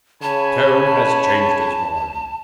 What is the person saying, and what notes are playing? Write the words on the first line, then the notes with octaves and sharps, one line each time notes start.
Toad has changed his mind.
C#3 C#5 G#5 A5 B5